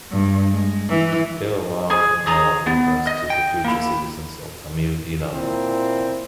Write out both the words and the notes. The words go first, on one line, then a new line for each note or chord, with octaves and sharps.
Eelavar now refers to the future citizens of Tamil Eelam.
G2
G#3
E3
G#4
G#4 A#5
B3
D#5
G5
A#3 E4
A#2 C4 E4